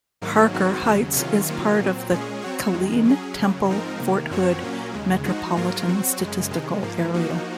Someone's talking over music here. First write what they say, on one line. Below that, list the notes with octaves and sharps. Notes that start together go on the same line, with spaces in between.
Harker Heights is part of the Killeen-Temple-Fort Hood Metropolitan Statistical Area.
G#2 D#3 F#3 A#3
G#2 D#3 F#3 C4 F#4
D#2 C#3 F#3
C3 D#3 F#3 C#4 F4
C3 D#3 F#3 A#3 F4
A#2 F#3 C4
A#2 G#3 C#4 G#4
F#3 C4 F#4 C#5
F2 D#3 G#3
F#3 C#4 G#4
F#2 C#3 F#3
G#2 F3 C4 D#4 A#4
C3 D#3 A#3
F#2 F3 C4 F#4 C#5
A#2 F#3 A#3 C#4
D#2 C#3 G#3
F3 G#3 D#4 F#4
G#2 F#3 A#3 F4 A#4
F#3 C4 F#4
F#2 C#3 G#3
C3 D#3 G#3
G#2 F3 A#3
F3 A#3 D#4 F#4